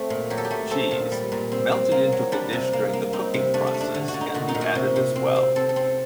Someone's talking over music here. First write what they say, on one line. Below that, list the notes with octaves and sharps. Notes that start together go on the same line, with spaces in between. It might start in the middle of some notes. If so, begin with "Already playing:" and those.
Cheese, melted into the dish during the cooking process, can be added as well.
Already playing: A3 C4
A#2
F#3 G4
A4
G4
A3
C4 A4
A#2
G3
A#2
C4
C4
A#3
F#3
G3 D4
C3
A#3
A#3
C4 D#4
C3
A3 D4
D4
A3
D4
D3
F#4
D3
D#4
A#2 F#4
D#4
A#2
F#4
C3
C3
C4
C4
C4 A4
A4
C4